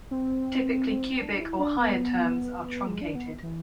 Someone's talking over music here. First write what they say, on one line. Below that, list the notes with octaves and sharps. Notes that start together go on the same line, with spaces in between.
Typically cubic or higher terms are truncated.
C4
D4
E4
D4
B3
G#3
D4
B3
E3